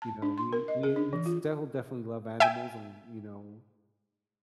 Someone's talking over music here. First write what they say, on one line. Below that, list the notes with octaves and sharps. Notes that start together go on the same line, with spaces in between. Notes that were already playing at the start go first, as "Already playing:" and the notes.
you know, we we we'd still definitely love animals and, you know,
A5
D4
C6
A#4
D#5
G#4
D4
E3
F4
E5 G5 G#5